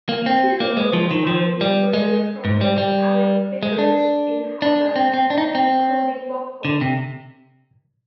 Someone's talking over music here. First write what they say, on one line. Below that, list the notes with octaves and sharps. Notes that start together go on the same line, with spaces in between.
The two were conspiring to murder prominent Arab figures in Haifa, including Makhoul.
A#3
C4
A#3
G#3
F3
D#3
F3
G3
G#3
G#2
G3
G3
G#3
D4
D4
C4
C4
D4
D#4
C4
D3
C3